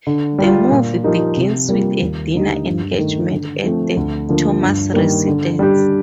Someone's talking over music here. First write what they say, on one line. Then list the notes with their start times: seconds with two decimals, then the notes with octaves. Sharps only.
The movie begins with a dinner engagement at the Thomas residence.
0.07 D3
0.39 G3 D4 F4
0.71 A#2
1.04 F3 A#3 D#4 G4
1.37 C3
1.69 G3 A#3 F4
2.01 D#2
2.34 D3 A3 D#4 G4
2.67 G2
2.98 D#3 A3
3.31 D3
3.64 F3 A3 C4
3.97 D2
4.29 D3 F3 A#3 F4
4.62 G2
4.94 D#3 G3 A#3
5.27 D3
5.59 G3 D4 G4